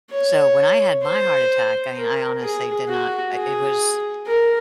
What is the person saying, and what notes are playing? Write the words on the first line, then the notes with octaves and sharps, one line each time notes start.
so when I had my heart attack, I mean, I honestly did not I it was
C#5
C5
A#4
G#4
F#4
G#4
A#4